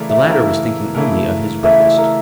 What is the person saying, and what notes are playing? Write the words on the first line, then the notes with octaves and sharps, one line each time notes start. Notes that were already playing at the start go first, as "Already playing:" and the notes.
The latter was thinking only of his breakfast.
Already playing: C#3 E3 A3 E4 A#4 D5
E5
C#3 E3 A3 E4 A#4 E5
C#3 E3 A3 E4 A#4
C#3 E3 A3 E4 A#4 E5
D5
A#4